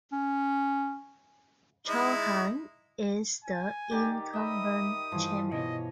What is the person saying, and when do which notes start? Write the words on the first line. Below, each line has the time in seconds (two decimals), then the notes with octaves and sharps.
Chauhan is the incumbent chairman.
0.12 C#4
1.87 G#3 D#4 E4
3.45 G#5
3.91 D#3 G4 D5
4.33 A#4 D#5 E5 B5 D#6
5.12 G2 E3 F3
5.52 B2 C#5 D#5